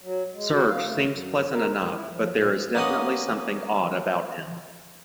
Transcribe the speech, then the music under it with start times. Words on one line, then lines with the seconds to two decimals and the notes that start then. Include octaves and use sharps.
Serge seems pleasant enough, but there is definitely something odd about him.
0.01 F#3
0.34 G#3
0.51 F#4
0.69 F5
0.84 A3
1.07 F#2
1.53 A#4
1.74 F2
1.94 E4
2.11 F3
2.33 A#2
2.75 A#3 B3 C#4 D#5 F#5